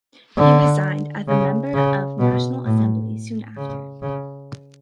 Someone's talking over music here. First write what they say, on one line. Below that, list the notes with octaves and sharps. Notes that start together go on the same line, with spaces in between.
He resigned as a Member of National Assembly soon after.
D3
C#3
C#3
B2
A2
C#3
C#3